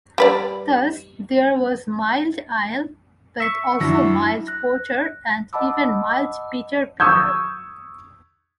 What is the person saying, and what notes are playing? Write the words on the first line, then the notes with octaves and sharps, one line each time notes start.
Thus there was Mild Ale but also Mild Porter and even Mild Bitter Beer.
G3 B4 D5
E5 C#6
F#2 D4 E4 A#6
F#6 A#6
D#5 F#5 A5 B5 D6 E6
C#6 D#6 E6 G6 G#6